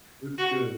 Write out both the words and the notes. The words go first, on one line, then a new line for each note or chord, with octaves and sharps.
it's good.
F#4